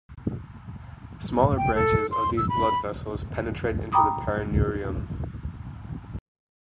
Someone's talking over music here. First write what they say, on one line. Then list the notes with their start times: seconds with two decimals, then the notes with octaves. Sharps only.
Smaller branches of these blood vessels penetrate into the perineurium.
1.57 G5
1.75 A4
2.11 C6
2.37 E6
2.49 B5
3.92 G5 A#5 B5 D6 D#6